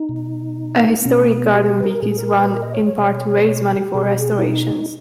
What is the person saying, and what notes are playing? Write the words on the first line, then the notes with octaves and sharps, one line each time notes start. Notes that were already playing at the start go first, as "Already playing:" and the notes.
A Historic Garden Week is run, in part to raise money for restorations.
Already playing: D#4
B2
B3
B2 C#4
A#3
B3
G4
G4
B4
A#4
A#2 G#4
A#4
B4
A#4
D#5
C#5
C#5
B2
B4
C#5
G4
B2 G#4
G4
G#4
G4
E4
D#4